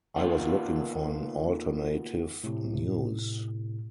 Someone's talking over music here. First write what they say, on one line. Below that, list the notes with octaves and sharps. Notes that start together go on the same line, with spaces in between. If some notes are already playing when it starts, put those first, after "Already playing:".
I was looking for an alternative news.
A#2 D#3 B3 F4
A2 C3